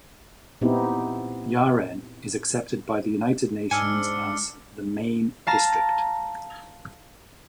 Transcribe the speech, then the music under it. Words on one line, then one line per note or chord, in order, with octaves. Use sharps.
Yaren is accepted by the United Nations as the "main district".
A#2 B3 C4 D#4 E4 G4
G#2 D4 G#5 E6 F6 C#7
F5 A5 A#5